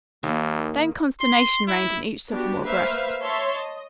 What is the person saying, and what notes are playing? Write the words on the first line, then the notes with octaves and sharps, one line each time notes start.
Then consternation reigned in each sophomore breast.
D#2 D#3 A#3
C6
E4
B3 D4 F#4 G4
A#3 B4 C5 E5 F5
C#5 E5 A5 C6
D#5